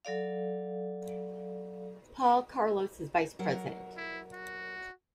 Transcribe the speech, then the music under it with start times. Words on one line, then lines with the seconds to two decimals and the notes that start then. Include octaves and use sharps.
Paul Carlos is vice president.
0.05 F#3 A4 D5 F5
3.39 F#3 A#4 F#5
3.97 E4
4.33 F#4